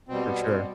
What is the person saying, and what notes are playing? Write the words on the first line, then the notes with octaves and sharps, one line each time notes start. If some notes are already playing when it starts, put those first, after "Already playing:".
For sure.
B2 G3 C4
B3
C4